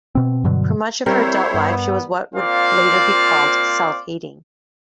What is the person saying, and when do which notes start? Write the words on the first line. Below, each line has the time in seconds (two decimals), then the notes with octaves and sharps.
For much of her adult life she was what would later be called self-hating.
0.15 B2 C4
0.44 G2 B2 D3 F#3
1.06 G3 C4 E4 A#4 C5 C#5
1.54 G2 B3
2.35 A#3 C4 F4 C5 D5 F5